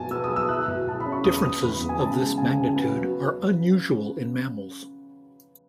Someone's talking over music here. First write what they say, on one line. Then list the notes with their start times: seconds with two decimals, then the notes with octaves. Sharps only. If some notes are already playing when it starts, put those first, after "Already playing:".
Differences of this magnitude are unusual in mammals.
Already playing: B2 F#3 G#5 A5
0.11 B3 E6
0.24 D#6
0.30 F#3
0.36 E6
0.48 E4 F#6
0.68 B2
0.87 E4 A5
1.00 B5
1.06 C#4
1.12 C#6
1.24 E2 D#6
1.44 E2
1.63 E2 B5
1.81 E2
1.89 G#5
2.01 C#3 A5
2.19 G#3
2.38 C#3 G#5
2.57 C#3
2.62 G#5
2.75 B3
2.94 F#3